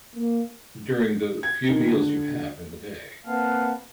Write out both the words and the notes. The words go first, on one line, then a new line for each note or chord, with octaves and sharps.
during the few meals you have in the day.
A#3
G#6
D#3
D3
A#3 C4 B4 F5 F#5 A5